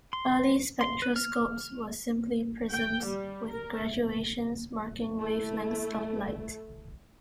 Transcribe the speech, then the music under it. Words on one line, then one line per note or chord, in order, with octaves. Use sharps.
Early spectroscopes were simply prisms with graduations marking wavelengths of light.
C6
C6
B4
F6
G5
G3
A#4
A3 E4